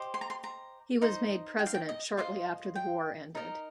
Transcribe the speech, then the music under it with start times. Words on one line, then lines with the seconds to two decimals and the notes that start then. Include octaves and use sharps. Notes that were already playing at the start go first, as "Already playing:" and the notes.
He was made President shortly after the war ended.
Already playing: G4 C5 D#5
0.14 C6
0.21 A#5
0.30 C6
0.44 A#5
1.02 D#4 C5 D#5
1.59 G5
1.66 F5
1.75 G5
1.89 D#5
2.17 F4 C5 D#5 F5
2.75 G5
3.35 D#4 A#4 D#5